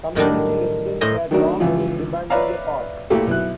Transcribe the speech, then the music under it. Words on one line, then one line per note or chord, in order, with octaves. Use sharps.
Community residents had long been demanding a park.
A2 D#3 F#3 G3 D4
A2 C5 D#5 G#5 A#5
D#3 F#3 A3 D4 F#4 A#4
C#2 E3 F3 F4
B4 C#5 D5 E5 F5 A#5
A#2 A3 E4 F4 G4 A4
B1 E4 F#6